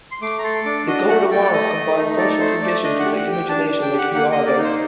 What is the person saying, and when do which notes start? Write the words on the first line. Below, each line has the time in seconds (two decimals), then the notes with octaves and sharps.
The coat of arms combines social tradition to the imagination like few others.
0.12 C6
0.22 A3 D6
0.39 A#5
0.44 A4 C6
0.65 D4 D6
0.79 D5
0.87 F#4 D#5
1.09 A3 F#5
1.30 A4 G5
1.45 D5
1.53 A3 D#5
1.75 A3
1.96 D#4
2.18 A4 D5
2.40 A3 C5
2.61 A3 D5
2.83 D4 D#5
2.99 F#5
3.05 G4
3.16 F#5
3.27 G4
3.32 G5
3.48 D4 A5
3.70 D4
3.82 G5
3.92 G4
3.98 F#5
4.14 A#3 F#5
4.31 A#3 D#5
4.47 D5
4.58 D#4
4.64 C5